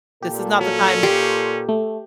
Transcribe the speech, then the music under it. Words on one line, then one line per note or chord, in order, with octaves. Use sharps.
this is not the time
A#2 G4 A4
F#3 C#4
G4 C6 C#6
A3